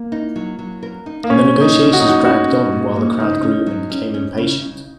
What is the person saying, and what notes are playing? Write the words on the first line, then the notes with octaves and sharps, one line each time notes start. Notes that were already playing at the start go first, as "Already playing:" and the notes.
The negotiations dragged on while the crowd grew and became impatient.
Already playing: A#3
D#4
F#3
F#3
A#4
D#4
A#3
A#2 C#4
A#2
D#4
C#4
F#4
F#3 D#4
F#4
C#4 F#4
C#4
A#2
A#3
C#3 D#4
C#4
F#3
C#4
C#4
C#3
C#3